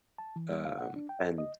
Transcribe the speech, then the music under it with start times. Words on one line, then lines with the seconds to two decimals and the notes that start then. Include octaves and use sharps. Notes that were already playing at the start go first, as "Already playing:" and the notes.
Um, and
0.18 A5
0.36 E3
0.50 G3
0.65 F5
0.78 F#5
0.96 D4
1.09 G5
1.38 D#5